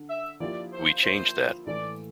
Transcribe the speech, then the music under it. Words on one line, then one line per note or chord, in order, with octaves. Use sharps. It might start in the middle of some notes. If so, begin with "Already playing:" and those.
We changed that.
Already playing: D3
E5
F3 A#3 E4 G4 D5
C5
C5
A2 E3 A3 D5